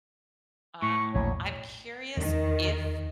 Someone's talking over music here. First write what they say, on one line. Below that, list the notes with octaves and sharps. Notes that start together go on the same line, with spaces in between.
Um, I'm curious if
A2 C#6
A#1 E2 B2 C#5
E2 D#3